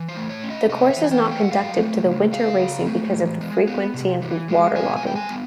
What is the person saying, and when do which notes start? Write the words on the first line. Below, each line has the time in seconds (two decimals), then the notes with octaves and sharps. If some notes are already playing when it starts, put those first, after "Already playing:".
The course is not conducive to winter racing because of the frequency of water-logging.
Already playing: E3
0.08 C5
0.16 A3
0.29 C#5
0.43 C#4
0.50 D#5
0.69 C3 D#5
0.90 E5
0.96 E3
1.04 G#5
1.11 G5
1.25 A3
1.31 G5
1.43 F#5
1.51 F#3 F5
1.78 A3
2.05 C#3
2.32 C#3 F5
2.60 F#3
2.87 A3
3.14 E3
3.41 G#3
3.67 B3
3.94 C3
4.21 E3
4.48 G#3
4.76 B2 G#5
4.96 G#5
5.03 G3 G5
5.16 G#5
5.30 B3